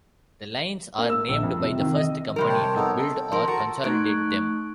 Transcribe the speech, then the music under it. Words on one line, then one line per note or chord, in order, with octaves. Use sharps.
The lines are named by the first company to build or consolidate them.
A#3
E6
A#1
F2
C3
D#3
D#5
C3 G3 A#4
C#5 G5 A5
B3 D#4 A4
A4
F3 A#4
F#4 A5 A#5
A3 D#4 C#6 F#6 G#6 D7